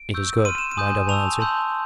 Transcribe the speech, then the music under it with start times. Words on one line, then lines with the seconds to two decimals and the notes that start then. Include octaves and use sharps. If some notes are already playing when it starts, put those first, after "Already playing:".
"It is good," my double answered.
Already playing: D7
0.14 C#6 E6 G6
0.45 C6 F6 D#7
0.58 E7
0.71 D#7
0.77 G#5 C6 D#6 G6
1.08 A5 C#6 E6 F7
1.40 A5 C6 E6 G6